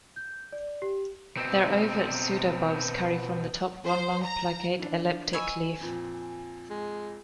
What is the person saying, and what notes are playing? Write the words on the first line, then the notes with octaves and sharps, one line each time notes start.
Their ovate pseudobulbs carry from the top one long, plicate, elliptic leaf.
G6
D5
G4
B2 C4
C5
A#5
E3 D4
D#5 G#5 B5 C#6 E6
F2 A#2
G#3